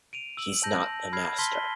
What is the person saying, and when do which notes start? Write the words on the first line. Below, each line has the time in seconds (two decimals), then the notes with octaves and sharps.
He’s not the master.
0.13 D7 D#7 F7
0.37 E6 F#7
0.63 A5 G6 A#6
1.13 B5 F6 G#6 C7
1.39 A5 C6 F6 B6 G7